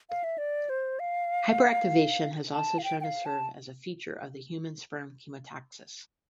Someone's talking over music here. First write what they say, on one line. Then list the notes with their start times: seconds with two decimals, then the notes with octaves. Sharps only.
Hyperactivation has also shown to serve as a feature of the human sperm Chemotaxis.
0.10 F5
0.24 E5
0.38 D5
0.70 C5
0.99 F5
2.53 A5
2.78 F5
2.84 G5
3.01 G5
3.04 F5
3.26 A5